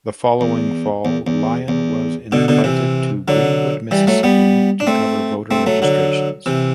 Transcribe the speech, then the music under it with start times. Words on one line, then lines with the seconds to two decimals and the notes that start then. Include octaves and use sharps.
The following fall Lyon was invited to Greenwood, Mississippi, to cover voter registrations.
0.41 E2
1.05 E2
1.27 E2
1.68 E2
2.32 B2 D3
2.48 B2 D3
2.64 C3 E3
3.28 D3 F#3
3.91 E3 G3
4.07 F#3 A3
4.23 G3 B3
4.80 D4
4.87 A3 C4
5.51 A3 C4
5.66 F#3 A3
5.82 D3 F#3
6.46 C3 E3